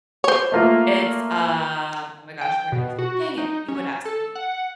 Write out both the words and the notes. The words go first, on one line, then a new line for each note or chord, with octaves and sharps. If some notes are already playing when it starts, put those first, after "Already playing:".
It's, um, oh my gosh, where is it? Dang it, you would ask me.
C5 C#5
A3 A#3 F4
G5
B2
F#4
D#4
C#4
A4
F#5